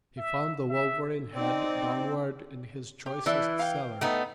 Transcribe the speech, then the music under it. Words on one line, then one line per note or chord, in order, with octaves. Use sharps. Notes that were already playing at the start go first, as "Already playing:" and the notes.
He found the wolverine head downward in his choicest cellar.
E5
E5
C4 D#4 D5
G4
E3 D4 E4 G6
F5 G5
A3 B3 D#4